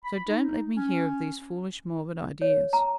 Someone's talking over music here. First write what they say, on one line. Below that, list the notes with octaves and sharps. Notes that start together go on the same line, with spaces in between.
So don't let me hear of these foolish morbid ideas.
B5
D#4
C#4
C#5
A#5